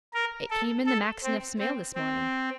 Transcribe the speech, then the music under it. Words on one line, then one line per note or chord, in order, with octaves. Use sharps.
'It came in the Maxineffs' mail this morning.
A#4
A4
A4
C4
C4
C4